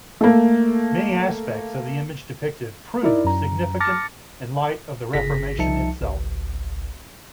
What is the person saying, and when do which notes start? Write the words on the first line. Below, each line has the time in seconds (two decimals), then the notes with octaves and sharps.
Many aspects of the image depicted prove significant in light of the Reformation itself.
0.21 A3 A#3
3.03 D#4 E4 A#4 D5
3.24 F#2 A#5
3.80 A5 D6 F6 A6 A#6 C#7
5.13 G1 C#3 G#4 A#6 B6
5.59 C2 F3 D#4 E5 A5 C#7
6.01 G#1 C#2